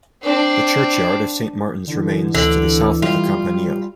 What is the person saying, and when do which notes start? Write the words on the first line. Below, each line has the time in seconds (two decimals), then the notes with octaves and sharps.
The churchyard of Saint Martin's remains to the south of the campanile.
0.23 C4 D4
1.87 D3 E3
2.34 D2 D3
3.02 G3 F4